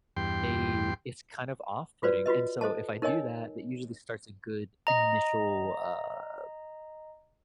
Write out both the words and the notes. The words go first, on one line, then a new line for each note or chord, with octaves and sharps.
they it's kind of off putting, and so if I do that, that usually starts a good initial, uh,
E2 G2 G5 C6
F4 F#4 B4 C5 D5
F4 F#4 B4 D#5
A4 C5 D#5 A5
D#4 A#4 C#5 D#5 G#5
D#5 A#5